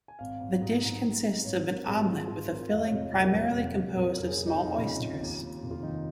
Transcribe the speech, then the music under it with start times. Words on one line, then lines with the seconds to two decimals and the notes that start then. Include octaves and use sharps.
The dish consists of an omelette with a filling primarily composed of small oysters.
0.08 G#5
0.19 G#1 F5
0.41 G#1
0.61 G#2
0.83 G#2
1.03 G#2
1.24 G#1
1.45 G#1 C#5
1.65 G#1 A#4
1.87 G#1 G#4
2.07 G#1 F4
2.28 G#1 F4
2.49 G#1 A#4
2.70 F2 F5
2.77 D#5
2.84 C#5
2.90 F1 D#5
3.12 F2
3.22 A#4
3.33 F1 C#5
3.54 F1
3.74 F1
3.95 F1 A#4
4.10 C#5
4.16 F2 A#4
4.27 G#4
4.38 F2
4.47 D#4
4.58 F2 F4
4.78 C#3
5.00 C#3
5.20 D#2
5.42 D#2
5.63 F1
5.71 F4
5.83 D#3 D#4